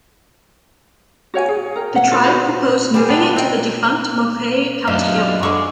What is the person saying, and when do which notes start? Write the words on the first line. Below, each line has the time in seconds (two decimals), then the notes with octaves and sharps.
The tribe proposed moving it to the defunct Marquette County Airport.
1.34 F#4 C#5 G5 G#5
1.49 G#4
1.76 A#4 G5
1.96 F#5
2.12 F4 A#4
2.24 F#4 B4 C5
2.94 G3 C4 G#4
3.09 B3 D4
3.36 C4 D#4 G5
4.88 F#2 D4 D#4 F4 E5 F5
5.43 D3 G#3 C#6